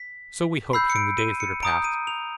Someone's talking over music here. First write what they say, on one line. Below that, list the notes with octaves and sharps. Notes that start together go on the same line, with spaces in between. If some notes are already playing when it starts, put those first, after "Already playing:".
So we hoped in the days that are past.
Already playing: B6
B5 E6 G6 C7
C#7
D7
D#7
C#7
A#5 D#6 G6 D7
D#7
F7